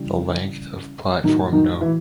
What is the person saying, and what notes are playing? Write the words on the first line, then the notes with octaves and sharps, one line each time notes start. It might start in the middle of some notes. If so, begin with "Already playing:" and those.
The length of Platform no.
Already playing: C#3 E3 G3
A2 D#3 F#3 D#4
D#3 D#4
E3 E4